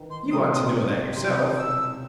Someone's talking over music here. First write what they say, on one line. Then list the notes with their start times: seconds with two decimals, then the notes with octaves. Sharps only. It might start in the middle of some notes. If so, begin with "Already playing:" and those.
You ought to know that yourself.
Already playing: D#3 E3
0.10 C6
0.31 C3 D#6
0.52 C6
1.15 C3 C6
1.27 B2
1.37 D#6
1.48 B2
1.59 E6